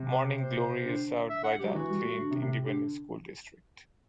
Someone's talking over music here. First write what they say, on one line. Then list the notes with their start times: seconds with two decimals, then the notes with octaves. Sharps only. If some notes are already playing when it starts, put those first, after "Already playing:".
Morning Glory is served by the Clint Independent School District.
Already playing: C3
0.40 C5
0.84 D3
1.30 E5
1.44 F#5
1.60 F#3 G4
1.75 E3 F#4
1.89 G3
2.05 A3
2.19 D3
2.31 C3
2.42 C3
2.65 D3 G4